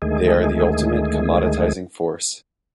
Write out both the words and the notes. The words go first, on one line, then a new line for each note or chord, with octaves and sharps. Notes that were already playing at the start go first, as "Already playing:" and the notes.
They are the ultimate commoditizing force.
D2 D#3 G#3 A3 G#4